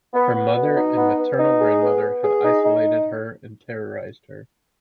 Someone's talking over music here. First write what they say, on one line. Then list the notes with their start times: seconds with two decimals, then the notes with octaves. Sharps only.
Her mother and maternal grandmother had isolated her and terrorized her.
0.14 B3
0.34 B3
0.55 B2
0.76 D#4
0.97 B3
1.18 B3
1.39 D#4
1.60 G#4
1.81 B3
2.02 B3
2.23 G#4
2.43 D#4
2.64 D#4